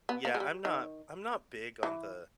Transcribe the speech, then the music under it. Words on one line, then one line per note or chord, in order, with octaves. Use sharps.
yeah, I'm not I'm not big on the,
B3
A#3
G#3
G3
D#3
E3